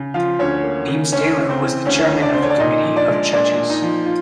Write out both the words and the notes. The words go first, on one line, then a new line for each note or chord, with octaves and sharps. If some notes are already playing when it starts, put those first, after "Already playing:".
Deems Taylor was the chairman of the committee of judges.
Already playing: C#3
F3 F4 F5
D2 C#4 C#5
A#3
C#3
D2 C#4 C#5
C#3
C4 C5
E3
D2 C#4 C#5
D2
D4 D5
C#3 C5
C#5
D5
A#2 D#4 D#5
F3
D4 D5
G#3
A#2 D4 D5
A#2
D#4 D#5
F3
F4